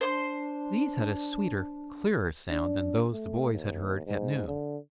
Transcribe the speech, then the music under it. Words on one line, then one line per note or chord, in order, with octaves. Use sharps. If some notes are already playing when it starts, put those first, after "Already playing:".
These had a sweeter, clearer sound than those the boys had heard at noon.
D4 C5 C6
D4
A3
D#2
G#2
D3